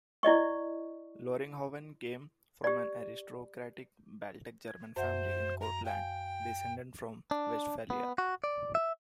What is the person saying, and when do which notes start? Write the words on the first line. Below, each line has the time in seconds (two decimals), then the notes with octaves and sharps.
Loringhoven came from an aristocratic Baltic German family in Courland descended from Westphalia.
0.23 E4 D5 D#5 C#6
2.64 G4 D5
4.68 G#6
4.96 F#2 C5 E5 F#5
5.61 A#5
5.85 F5 G5 G#5
7.31 D4
7.90 B3
8.18 F#4
8.44 D5
8.75 E5